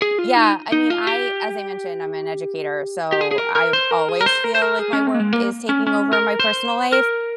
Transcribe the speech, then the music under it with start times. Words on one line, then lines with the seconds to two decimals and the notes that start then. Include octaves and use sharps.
Yeah, I mean, I As I mentioned, I'm an educator, so, I've always feel like my work is taking over my personal life,
0.02 G#4
0.18 F4
0.36 D#4
0.72 D#4
0.90 F4
1.07 G4
3.12 G4
3.21 G#4
3.31 G#4
3.38 A#4
3.55 A#4
3.73 C5
3.91 A#4
4.09 G#4
4.21 A#4
4.26 C5
4.44 A#4
4.55 C5
4.62 A#4
4.79 G#4
4.93 C#4
5.07 C4
5.14 A#3
5.20 G#3
5.33 A#3
5.69 C#4
5.87 C#4
6.13 A#4
6.39 C5
6.93 A#4